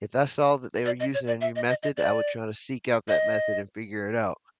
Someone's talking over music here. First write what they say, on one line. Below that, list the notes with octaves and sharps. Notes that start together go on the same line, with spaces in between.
if I saw that they were using a new method, I would try to seek out that method and figure it out,
D5
D#5
C#5
D5
E5
D#5
D#5
D#5
D5
D#5